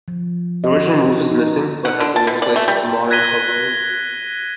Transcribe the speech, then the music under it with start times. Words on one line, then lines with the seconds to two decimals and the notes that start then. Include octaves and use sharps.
The original roof is missing but has been replaced with a modern covering.
0.08 F3
0.64 D#5
0.77 F#4
1.07 D#4
1.31 D#4
1.85 F#5
2.00 D3
2.16 A5
2.27 B2
2.42 D5
2.56 A3
2.68 G3
3.10 F#6 G#6 A#6 B6 D#7 G7